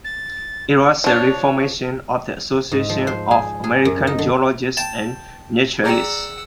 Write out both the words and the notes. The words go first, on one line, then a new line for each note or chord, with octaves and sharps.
It was a reformation of the Association of American Geologists and Naturalists.
A6
F3 D4 C#5
G#2
F3
C5
G#4
G#4
F#2
D#4
D3
G5 A5
G#4 D5 F#5 G5 A#5 E6